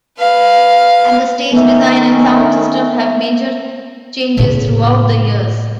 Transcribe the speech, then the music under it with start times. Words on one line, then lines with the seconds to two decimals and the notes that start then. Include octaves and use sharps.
And the stage design and sound system have major changes throughout the years.
0.19 B4 F5
1.53 D#3 A3 B3 C#4 E5
4.37 A2 C#3